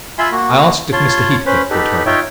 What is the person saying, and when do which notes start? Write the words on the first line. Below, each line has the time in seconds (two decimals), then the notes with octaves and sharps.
I asked if Mr. Heathcliff were at home?
0.18 F4 E5 G#5 B5 C6 E6
0.32 A#3 F#4
0.93 F4 C#5 A5 C6
1.46 C#4 B4 C5
1.70 D#4 G4 A4 B4
2.06 D#4 F4 C#5 E5 G5